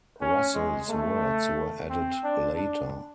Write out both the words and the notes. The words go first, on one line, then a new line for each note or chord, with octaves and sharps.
Russell's words were added later.
C#4
G#3
A3
C4
D4
D4